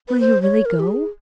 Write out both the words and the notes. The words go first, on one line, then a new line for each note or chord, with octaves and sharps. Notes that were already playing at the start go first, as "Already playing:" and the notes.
'Will you really go?
B4
C5
C#5
A#4
G4
G#4